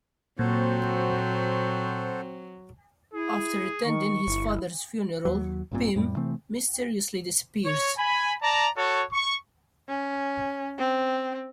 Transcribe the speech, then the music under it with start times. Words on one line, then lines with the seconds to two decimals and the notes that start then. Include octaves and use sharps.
After attending his father's funeral, Pym mysteriously disappears.
0.39 A#2 F#3 C4 F#4 A4 C5
3.14 E4 G#4
3.84 D#3 C#6
4.27 G1 E4
5.25 D#2 F#3
5.71 A#1 G2 A#2 C4
5.96 F2 A2 G3
6.16 C3 E3 A3 C4
7.66 C#5
7.98 G#5 B5
8.42 D5 A5 A#5
8.77 F#4 A4 C#5
9.13 C#6
9.89 C#4
10.78 C4